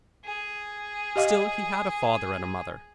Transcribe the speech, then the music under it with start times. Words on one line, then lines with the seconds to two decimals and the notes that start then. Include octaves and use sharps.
Still, he had a father and a mother.
0.25 G#4
1.16 G4 D#5 F5